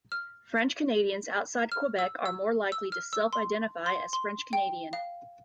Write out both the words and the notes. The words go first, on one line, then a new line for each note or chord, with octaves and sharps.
French Canadians outside Quebec are more likely to self-identify as "French Canadian".
F6
F6
E6
E6
E6
F6
E6
C6
C6
C6
G5
F5